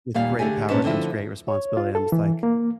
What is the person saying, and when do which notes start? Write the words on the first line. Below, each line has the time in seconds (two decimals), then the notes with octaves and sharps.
"With great power comes great responsibility." I'm just like,
0.14 D#2 A#2 G3 F5
0.39 D3 A3 G4 G#4 G#5
0.69 A#2 C#4 D4 B4 A5
0.84 D3 F3 C4 E4 F4
1.48 C#5
1.77 F4
1.95 A4
2.12 E3
2.43 A#3